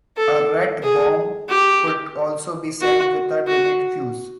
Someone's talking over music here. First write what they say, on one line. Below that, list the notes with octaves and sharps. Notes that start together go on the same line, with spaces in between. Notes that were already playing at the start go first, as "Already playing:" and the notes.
A rat bomb could also be set with a delayed fuse.
A4
G#4
G4
F#4
F#4